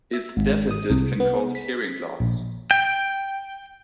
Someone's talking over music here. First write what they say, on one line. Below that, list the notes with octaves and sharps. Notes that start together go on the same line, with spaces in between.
Its deficit can cause hearing loss.
E5
G#1
D#6
C2
B3
B6
A#1
G5